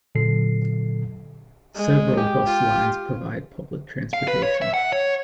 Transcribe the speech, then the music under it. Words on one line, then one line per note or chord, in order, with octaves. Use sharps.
Several bus lines provide public transportation.
A#2 D3 F#3 A4 C7
G#3
G4
F4
F5
B4
C#5
E5
F#5
C#5